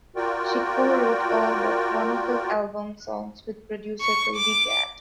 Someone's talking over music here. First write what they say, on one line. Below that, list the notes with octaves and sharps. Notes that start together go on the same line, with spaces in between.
She co-wrote all but one of the album's songs with producer Toby Gad.
F4 F#4 A#4 D5 G5
C#6
D6